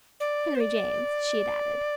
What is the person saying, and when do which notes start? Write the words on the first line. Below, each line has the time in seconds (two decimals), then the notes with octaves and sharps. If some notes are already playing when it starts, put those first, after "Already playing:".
Henry James, she had added.
0.20 D5
0.55 C5
0.60 D5